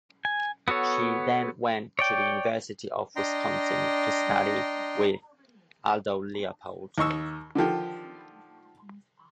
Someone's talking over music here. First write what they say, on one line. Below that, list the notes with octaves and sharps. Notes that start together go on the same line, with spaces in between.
She then went to the University of Wisconsin to study with Aldo Leopold.
G#5
B3 F#4 A4 C#5
C#5 D5 G5
D4 D#5 G5 A#5 C6
D#2 D#5 C#6 E6
D3 D#3 F3 G4